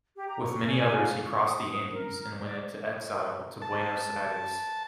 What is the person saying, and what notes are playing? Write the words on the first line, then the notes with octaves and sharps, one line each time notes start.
With many others he crossed the Andes and went into exile to Buenos Aires.
G4
A#5
C#6
G#5
F4
C#6
D#6
A#4
D5
A5